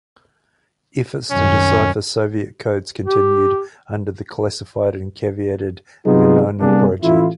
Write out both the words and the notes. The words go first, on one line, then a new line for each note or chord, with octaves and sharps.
Efforts to decipher Soviet codes continued under the classified and caveated Venona project.
C2 F#2 D#3 C#4
G4
C3 F#3 B3 D#4 F4 G#4
C3 G3 A#3 B3 D4 G#4
A1 E4 F4